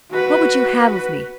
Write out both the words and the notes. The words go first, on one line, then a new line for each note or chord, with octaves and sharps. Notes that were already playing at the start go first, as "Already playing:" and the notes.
What would you have of me?
F#4 B4